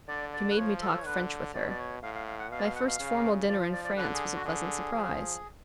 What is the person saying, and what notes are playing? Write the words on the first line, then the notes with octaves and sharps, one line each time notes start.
She made me talk French with her. My first formal dinner in France was a pleasant surprise.
D3 D5
D5
B4
F3 C#5
A4
C#5
D3 B4
B2 D5
D5
C#5
A2 F5
F5
F5
F#5
B2 F5
D5
F5
F#5
F5
C#3
F3 D5
F5
D5
D5
D3 B4
G#4
F#4
D3 G#4
F3